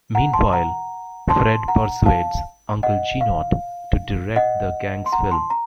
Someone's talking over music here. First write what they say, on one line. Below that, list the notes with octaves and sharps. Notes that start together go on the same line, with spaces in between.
Meanwhile, Fred persuades Uncle Jeannot to direct the gang's film.
F#5 A#5
A5 C6
F#5 A#5
A5 C6
F#5 A#5
F5 A5
D#5 F#5
F5
D#5 F#5
C6
F#5 A#5
A5 C6
A#5